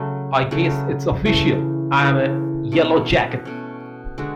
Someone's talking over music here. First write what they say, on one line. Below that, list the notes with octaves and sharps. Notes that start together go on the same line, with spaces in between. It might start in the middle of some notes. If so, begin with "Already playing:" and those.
I guess its official, I'm a yellowjacket!
Already playing: C#3 F#3 A3
C#3 F#3 A3
C#3 E3 A3
C#3 E3 A3
B2 A3 C#4
B2 A3 C#4
D3 G#3 D4 F#4